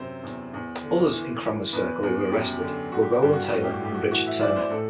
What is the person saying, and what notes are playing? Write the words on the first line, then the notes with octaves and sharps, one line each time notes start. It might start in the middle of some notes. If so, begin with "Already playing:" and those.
Others in Cranmer's circle who were arrested were Rowland Taylor and Richard Turner.
Already playing: F#2 C3 C5
E2
E2
D3
E3
E3
E2 B4
E2
F#2 G4
D3
D3 F#4
G4
F#4
G2 G4
F#4
G4
A2 F#4
G4
F#4
A2 G4
F#4
E3 F#4
E5
E3 D5
C5
A2 A4